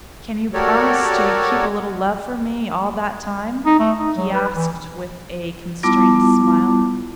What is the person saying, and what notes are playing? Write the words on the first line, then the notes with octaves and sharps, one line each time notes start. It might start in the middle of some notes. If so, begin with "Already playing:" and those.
'Can you promise to keep a little love for me all that time?' he asked with a constrained smile.
F#4 G4 A4 A#4 C#5 D5
D#4
A3
D#4
F#3
B4
E3
G3 B3 E4 F4 A5 D6